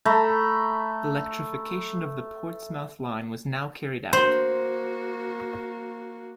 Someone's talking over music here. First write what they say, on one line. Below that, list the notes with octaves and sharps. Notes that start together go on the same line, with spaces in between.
Electrification of the Portsmouth line was now carried out.
A3 A#5 B5
A#3 F#4 C5 C6